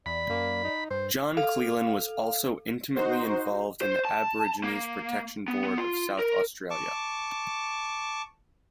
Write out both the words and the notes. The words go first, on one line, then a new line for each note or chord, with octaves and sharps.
John Cleland was also intimately involved in the Aborigines Protection Board of South Australia.
E2 D5 B5
F#2 A#3
D#4
G2 C5
A4 F5
D#4 F#4 C5
C5
A5
A#3
B3
B3
F4
A#4
A5 C#6 D6